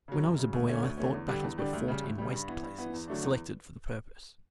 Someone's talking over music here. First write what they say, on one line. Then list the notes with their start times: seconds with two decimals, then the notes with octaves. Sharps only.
When I was a boy I thought battles were fought in waste places selected for the purpose.
0.08 C#3 F#3
0.23 F#2
0.38 C#3 F#3
0.53 D2
0.67 D3 A3 C#4
0.83 D2
0.98 D3 A3 C#4
1.13 E2
1.28 D3 G3 D4 G4
1.43 E2
1.58 D3 G3 D4 G4
1.73 D2
1.88 C#3 G3
2.03 D2
2.18 C#3 G3
2.33 G2
2.48 E3 B3
2.63 G2
2.78 E3 B3
2.93 E2
3.08 D3 F#3 A3 D4
3.23 E2